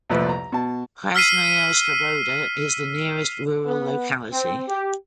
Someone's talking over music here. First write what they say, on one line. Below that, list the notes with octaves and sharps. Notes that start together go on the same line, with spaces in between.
Krasnaya Sloboda is the nearest rural locality.
C2 F2 A#2 F3 A3 B4
A#5
B2 A5
E6 F6 B6 C7 D#7
B3
C4
G4